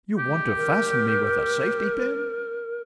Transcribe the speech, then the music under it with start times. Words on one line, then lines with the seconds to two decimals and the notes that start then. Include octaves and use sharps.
"You want to fasten me with a safety-pin?"
0.18 G4
0.56 A#4